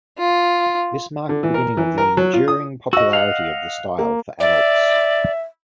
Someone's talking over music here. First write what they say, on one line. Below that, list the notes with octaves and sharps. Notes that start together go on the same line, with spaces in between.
This marked the beginning of the enduring popularity of the style for adults.
F4
D3
E3
A#4
E3
A#4
F#3
F4
D#6
F#4 D#5 E6
F5 F#5
A#3
D5 E5